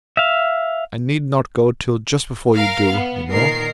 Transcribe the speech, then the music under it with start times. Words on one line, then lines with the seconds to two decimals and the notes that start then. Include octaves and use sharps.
I need not go till just before you do, you know.
0.17 E5 F5
2.56 A#4 F5
2.92 B3
3.31 A#2 D#3 A#4 C7